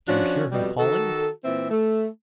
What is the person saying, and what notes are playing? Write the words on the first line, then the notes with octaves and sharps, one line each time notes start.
Do you hear him calling?
F3 C#4 D4 F#4
F2 B2 G3
D#3 F#4 A4
A#2 E3 C4 E5
A3